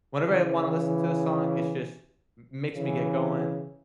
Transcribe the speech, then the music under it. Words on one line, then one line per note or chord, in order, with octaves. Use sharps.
whenever I wanna listen to a song, it just m makes me get going.
C#3 E3
C#3 E3